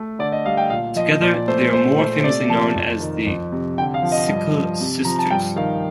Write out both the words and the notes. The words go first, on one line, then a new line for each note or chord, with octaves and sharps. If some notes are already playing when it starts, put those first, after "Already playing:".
Together they are more famously known as the Sikkil Sisters.
Already playing: A3
D3 D5
D#5
G3 F5
G5
A#2 F5
F3 D#5
A#2 D5
A3 C5
A#2 C5
A3 C5
C5
C3 D5
F3 A5
F2
D#3
F2
C3
D3 G5
F5
F3
D#5
G2
F3
C3
F3 A#5
A5
G2 G5
D#3 F5